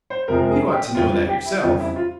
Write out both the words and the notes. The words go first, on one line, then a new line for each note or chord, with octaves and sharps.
You ought to know that yourself.
C5
F2 C3 F3 G#3 A#4
A#4
G#4
G4
F2 C#3 E3 G3 F4
F4
G4
E4
F2 C#3 E3 G3 F4
E4
F4